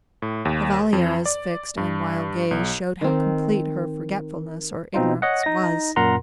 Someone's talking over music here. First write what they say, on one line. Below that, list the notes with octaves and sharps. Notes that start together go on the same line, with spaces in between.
La Valliere's fixed and wild gaze showed how complete her forgetfulness or ignorance was.
A2
D#2
F2
D5
G2
B1
D#3 C4
B2 C4 D#4 F4
C#5 D#5 F#5
D#4 A#6
F#2 A#2 A#4 F#5 A#5 C6